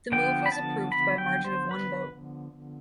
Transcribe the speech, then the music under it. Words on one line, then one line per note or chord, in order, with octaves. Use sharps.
The move was approved by a margin of one vote.
D3 F3 B3 G5
B5
A5
B5
G5
C5
B4